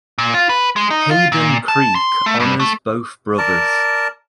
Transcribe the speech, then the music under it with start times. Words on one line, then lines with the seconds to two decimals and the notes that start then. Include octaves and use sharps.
Hayden Creek honors both brothers.
0.18 A#2
0.34 F4
0.49 B4
0.76 G#3
0.90 D#4
1.11 F4
1.32 A#2
1.68 A5
1.95 C6
2.26 A3
2.40 G2
2.60 A3
3.38 A#4 D5 A5